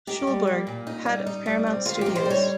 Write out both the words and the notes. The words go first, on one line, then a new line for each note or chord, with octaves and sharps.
Schulberg, head of Paramount Studios.
D#4 G4
G3
A#3
A#2
D#4
G3
D#4
G3
C4
D#3 F4
D#4 G4
C5
G3
C#5